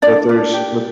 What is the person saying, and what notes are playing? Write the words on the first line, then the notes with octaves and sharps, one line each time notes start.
but there's, but
D4 D5
D4
G4